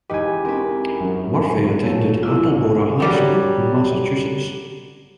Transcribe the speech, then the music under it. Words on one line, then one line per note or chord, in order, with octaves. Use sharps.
Murphy attended Attleboro High School in Massachusetts.
E1 D#4 G4 B4 D#5 G#5
C4 C#4 A#4 B4
F#2
F#3 A3
C2 D3 E4 F4 D5 E6
F#3 G3 G4